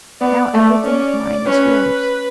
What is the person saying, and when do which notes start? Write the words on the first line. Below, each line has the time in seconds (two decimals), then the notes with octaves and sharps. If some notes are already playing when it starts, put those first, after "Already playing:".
Now everything of mine is yours.
0.21 B3 D5
0.53 A3
0.84 C#4
1.46 C#4 B4